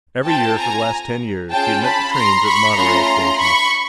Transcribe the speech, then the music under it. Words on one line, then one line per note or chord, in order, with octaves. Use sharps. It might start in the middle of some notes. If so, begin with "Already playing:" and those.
Every year, for the last ten years, he had met the trains at the monorail station.
C4 F4 A4 G5 A5
G#5 A#5
C#4 F4 G#4 G5 A5
A5 B5
A#5 C6
B5 C#6
A3 C#4 F4 A#5 C6
B5 C#6